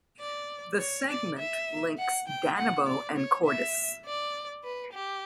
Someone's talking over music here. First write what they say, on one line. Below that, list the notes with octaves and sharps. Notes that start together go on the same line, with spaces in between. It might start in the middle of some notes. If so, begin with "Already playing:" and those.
The segment links Danebo and Cordes.
D5
C#5
D5
E5
F#5
G5
F#5
D5
C#5
E5
D5
B4
G4